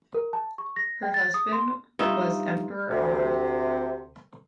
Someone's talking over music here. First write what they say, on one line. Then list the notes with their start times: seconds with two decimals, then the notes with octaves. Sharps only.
Her husband was Emperor An.
0.14 A#4
0.33 A5
0.58 C#6
0.76 A#6
1.03 G5
1.14 A6
1.34 D#6
1.52 C6
1.99 G2 D#4 F4 E5
2.90 D2 C3